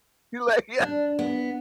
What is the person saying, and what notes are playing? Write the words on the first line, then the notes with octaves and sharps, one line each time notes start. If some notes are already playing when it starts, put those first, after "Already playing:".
you, like yeah.
D4
B3